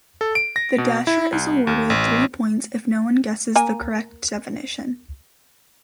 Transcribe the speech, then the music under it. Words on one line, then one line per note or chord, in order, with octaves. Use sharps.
The dasher is awarded three points if no one guesses the correct definition.
A4
D7
A#6
B2
E4
C2
D#2
A1
A#3 A#4 G#5